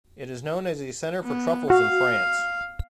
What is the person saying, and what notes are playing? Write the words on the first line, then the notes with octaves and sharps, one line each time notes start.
It is known as a centre for truffles in France.
B3
F#4 F5